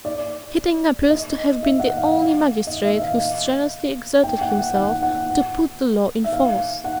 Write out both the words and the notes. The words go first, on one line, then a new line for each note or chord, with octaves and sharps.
Keating appears to have been the only magistrate who strenuously exerted himself to put the law in force.
D5
D#5
E5
F#5
F5
D#5
E5
F5
G5
F#5
F#5
F#5
F#5
E5
F5
F#5